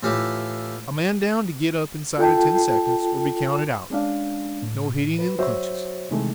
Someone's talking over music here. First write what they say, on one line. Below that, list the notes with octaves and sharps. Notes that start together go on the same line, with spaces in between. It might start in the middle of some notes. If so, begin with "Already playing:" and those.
A man down to get up inside of ten seconds or be counted out. No hitting in the clinches.
A2 E3 F4 G4 F5
F4 A4 G5 A5
G#3 C#4 D4 F5
A2
B4
F#3 F#4 C5 C#5 E5
C3 D#3 E3 G#3 A3